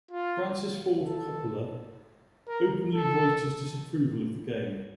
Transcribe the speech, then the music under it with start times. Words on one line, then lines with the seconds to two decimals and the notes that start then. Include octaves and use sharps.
Francis Ford Coppola openly voiced his disapproval of the game.
0.11 F4
1.06 A4
2.48 A#4
2.95 A4